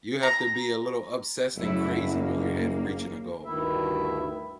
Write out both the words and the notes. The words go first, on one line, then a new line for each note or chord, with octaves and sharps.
You have to be a little obsessed and crazy when you're ahead of reaching a goal.
A#5
F#1 F#3 A3 E4
A#3
D2 G2 D#3 E4 E5